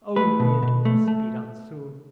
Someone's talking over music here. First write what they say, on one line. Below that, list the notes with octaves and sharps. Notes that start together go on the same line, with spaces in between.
Only it must be done soon.
A3 B4
B2
B2
A3
A3